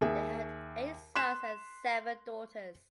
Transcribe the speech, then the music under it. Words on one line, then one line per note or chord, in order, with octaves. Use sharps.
They had eight sons and seven daughters.
D#2 G#4 E5
C6 F#6 B6 E7